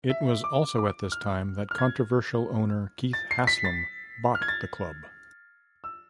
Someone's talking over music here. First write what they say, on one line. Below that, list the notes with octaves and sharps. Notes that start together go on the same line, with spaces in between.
It was also at this time that controversial owner Keith Haslam bought the club.
E5
D6
D6
F6
F6
G#6
A6
C7
B6
A6
F6
G#6
A6
E6